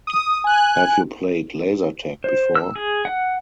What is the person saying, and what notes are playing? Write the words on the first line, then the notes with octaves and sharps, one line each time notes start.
Have you played laser-tag before?
D#6
G#5 F#6
C5
E6
G#4
F#5